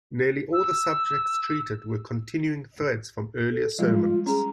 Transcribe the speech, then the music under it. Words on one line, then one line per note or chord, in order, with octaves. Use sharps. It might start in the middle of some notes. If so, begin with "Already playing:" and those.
Nearly all the subjects treated were continuing threads from earlier sermons.
E6
A4
F3 G3 G#3 F4
C#4 G#4 A#5